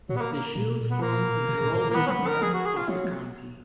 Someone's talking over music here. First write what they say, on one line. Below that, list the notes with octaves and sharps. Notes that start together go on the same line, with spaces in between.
The shield formed an heraldic map of the county.
A#2 F#3
B3
A#3
A#3
A#2
B2
A#2
B2 B3
A#2 A#3
B2
A#2
B2
A#2
G#2
A#2
A#3
D#3 B3
F#3 B3 C#4
F3
A#4
F3 G#4
F#4
G#4
F4
F3 F#3
F3